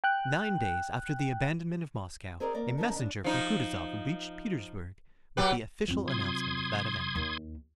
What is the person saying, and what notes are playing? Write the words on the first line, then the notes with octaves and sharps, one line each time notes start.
Nine days after the abandonment of Moscow, a messenger from Kutuzov reached Petersburg with the official announcement of that event.
G5 F#6
C4 G#4 A#4 C5 D5
A#3 A#4 D5
E2 D#3 F3 C#4 A#4 A5
C#3 D4
F3 D#4
F#3 G4 B4
A1 F#2 F3 C4 F4
C3 F#3 C6 D#6 G#6
D#2